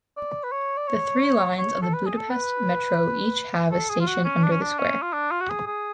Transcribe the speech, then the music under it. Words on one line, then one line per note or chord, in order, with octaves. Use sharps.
The three lines of the Budapest Metro each have a station under the square.
D5
B4
C#5
D5
C#5
C#5
A4
B4
G#4
A4
B4
A4
G#4
F4
F#4
C#4
D4
C#4
D4
C#4
F4
D4
F4
F#4
G#4
G#4